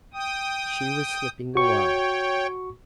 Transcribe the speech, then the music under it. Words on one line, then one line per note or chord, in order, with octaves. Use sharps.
She was slipping away.
G5 D#6
F#4 C#5 G5 C#6